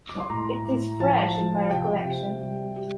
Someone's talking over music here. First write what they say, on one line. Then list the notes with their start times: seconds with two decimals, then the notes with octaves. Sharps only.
It is fresh in my recollection.
0.09 D6
0.20 C6
0.30 A2 A#5
0.65 A2
1.00 F3 A5
1.35 F3
1.70 C3 G5
2.05 C3
2.40 G3
2.76 G3